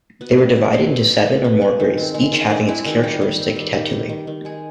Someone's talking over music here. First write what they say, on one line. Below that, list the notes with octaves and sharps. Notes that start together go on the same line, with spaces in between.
They were divided into seven or more grades, each having its characteristic tattooing.
B3 F#4
G3 F4
G3 E4
B2 C4
G3
B2
B3
B3
G#3
D#3
C4
G#3
D#3 C#4
C4 D4
G#3 E4
D#3 F#4
G3 G4
D#3
C4
G3
D#3
D#3
D#3
D#3
G#3 G#4